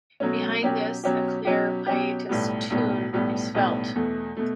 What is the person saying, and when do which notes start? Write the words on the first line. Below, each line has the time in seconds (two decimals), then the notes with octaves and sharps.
Behind this a clear pietist tune is felt.
0.20 B2 F#3 A3 C#4
0.61 B2 F#3 C#4 G4
1.04 B2 F#3 C#4 G4
1.45 B2 F#3 C#4 G4
1.87 B2 F#3 C#4 G4
2.29 B1 A2 G3 B3
2.70 B1 A2 G3 B3
3.13 B1 A2 G3 B3
3.54 B1 A2 G3 B3
3.95 E2 B2 A3
4.37 B2 A3